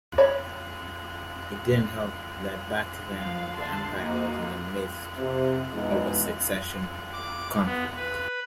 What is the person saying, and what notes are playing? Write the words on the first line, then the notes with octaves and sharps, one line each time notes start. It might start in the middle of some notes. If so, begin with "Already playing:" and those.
It didn't help that back then the empire was in the midst of a succession conflict.
C#5 B5
F3 F5
D3 A5 C6
A#3 D#4 F#4
C3
B2 E3 G#3 D#4
D6
B3
B4